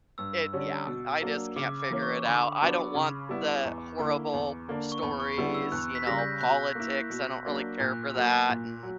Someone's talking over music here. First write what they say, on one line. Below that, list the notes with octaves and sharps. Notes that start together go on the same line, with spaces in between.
it yeah, I just can't figure it out. I don't want the horrible stories, you know, politics, I don't really care for that, and,
G2 E6
D3 G3 C#4
B2
F#3 A#3 D4
C#3 D6
D6
E3 A#3 C#4 E4
C#6
D3 B5
F#3 B3 D4
C#3
G3 B3 E4
E2
D3 A#3 E4
E2
D3 A#3 D4
C#6
E2 B5
C#6
D3 G3 B3 E4
E6
E2 F#6
B6
C#3 G3 A#6
G6
B2 F#6
A#3 E4
B2
F#3 A#3 D4
A#2 F#6
F#3 A#3
A#2
F#3